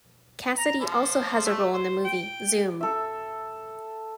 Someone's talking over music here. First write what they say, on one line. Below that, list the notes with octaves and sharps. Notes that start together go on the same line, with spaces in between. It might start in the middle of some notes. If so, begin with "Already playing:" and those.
Cassidy also has a role in the movie "Zoom".
A#5
F3
A3
C5
G5
A4 E5